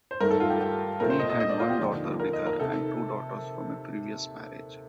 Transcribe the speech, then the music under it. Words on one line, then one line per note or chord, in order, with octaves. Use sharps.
He had one daughter with her and two daughters from a previous marriage.
C5
G2 D#3 A3 A#4
A4
F4
G4
G4
A#2 A3 C4 A#4
C5
D#5
D#5
D#5
D5
F4
G4
D#2 D3 F3
A#4
D#5
A#4
C3 D#3 A4